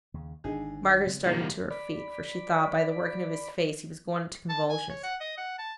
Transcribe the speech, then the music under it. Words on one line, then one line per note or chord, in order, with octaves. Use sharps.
Margaret started to her feet,--for she thought, by the working of his face, he was going into convulsions.
D#2 C#3
G#1 G#2 D3 D#4 G#4
C#3 G#3 C4
E2 D#3 E3 G3 A#3
D5 B5
A5
G#5
C#5
F#5
D#5
F#5
A5